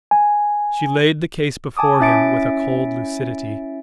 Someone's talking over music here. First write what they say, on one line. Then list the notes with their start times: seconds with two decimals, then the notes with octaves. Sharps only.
She laid the case before him with a cold lucidity.
0.11 G#5
1.77 G#5 A5 D6 D#6
2.00 C#4 E4 E5 A6 C#7 D7